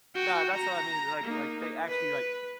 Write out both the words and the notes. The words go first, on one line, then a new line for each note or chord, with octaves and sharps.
No, that's what I mean, like like, they actually, like,
F#4 G5
A#5
A#3 D#4
B4